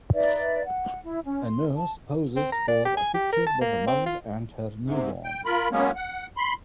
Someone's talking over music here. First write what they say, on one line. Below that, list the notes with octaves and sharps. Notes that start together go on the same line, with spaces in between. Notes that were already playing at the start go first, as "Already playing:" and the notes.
A nurse poses for a picture with a mother and her newborn.
D#4 B4 D5 E5
F#5
E4
C#4
C6
A5
C4
A#5
D5
G4
G#5
G4
A#4
A5
A#3
C4
F4
G#2 C3
G5
F4 A#4 B5
F#3 G#3 A#3 B3 C#4
F#5
B5 C6